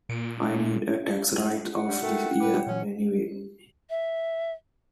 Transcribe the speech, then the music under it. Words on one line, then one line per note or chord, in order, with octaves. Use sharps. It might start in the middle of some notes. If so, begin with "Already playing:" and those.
I need a tax write-off this year anyway.
A#2
F#5
G3 D4
A3 D#4 F#4 A#4 G5
G3 B4 D6
A#2 E3 F#3 C#4
E5